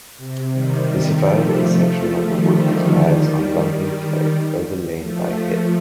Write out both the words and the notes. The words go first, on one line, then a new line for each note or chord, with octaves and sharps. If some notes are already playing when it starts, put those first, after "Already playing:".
The surviving section of the wood lies on London Clay overlain by head.
C3
D#3 G3
D#3 G3
F3 A3
F3 A3
D#3 G3
D3 F3
D#3 G3
F3 A3